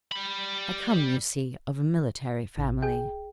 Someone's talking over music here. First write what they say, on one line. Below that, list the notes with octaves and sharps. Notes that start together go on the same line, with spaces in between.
I come, you see, of a military family.'
G3 B5
A1
G#4 G5